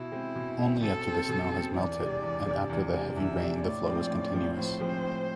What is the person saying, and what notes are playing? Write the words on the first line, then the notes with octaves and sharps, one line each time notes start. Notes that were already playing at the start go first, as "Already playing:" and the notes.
Only after the snow has melted and after the heavy rain the flow is continuous.
Already playing: B2 E4
G#3 C4
B2
G#3 C4
B2 A4
G#3 C4
B2
G#3 C4
E2 D5
C3 G#3 D4 G#4
E2
C3 G#3 D4 G#4
E2
C3 G#3 D4 G#4
E2 E5
C3 G#3 D4 G#4
A2 D5
F3 G#3 C4
A2
F3 G#3 C4
A2 C5
F3 G#3 C4
A2